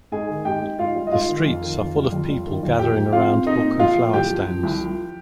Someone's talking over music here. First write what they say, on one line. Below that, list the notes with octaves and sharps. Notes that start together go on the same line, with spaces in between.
The streets are full of people gathering around book and flower stands.
G#2 G#4 G#5
D#3
G#2 G4 G5
G#2
G#2 F4 F5
G3
D#5
G#2 F4 F5
D#3
F2
D#3
F2
G3
F2
G3
D#3
F2
A#2 G4 G5
F3
C4 F4 F5
C4
C4 D#4 D#5
A#2
F3 F4 F5
A#2
C2 G4 G5
F3
F3
C2
F3